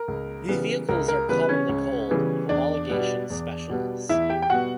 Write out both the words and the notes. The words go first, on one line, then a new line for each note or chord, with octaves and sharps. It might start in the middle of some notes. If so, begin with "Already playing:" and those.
These vehicles are commonly called "homologation specials".
Already playing: A#4
C#2
C#3 E3 G3 B3
C#2 A#4
A#4
C#3 E3 G3 B3 B4
B4
C#4 C#5
C#2
C#3 E3 G3 B3
E2 D4 D5
B2 G3 B3
E2
B2 G3 B3
E2 E4 E5
G4 G5
G5
B2 G3 B3 F#4 F#5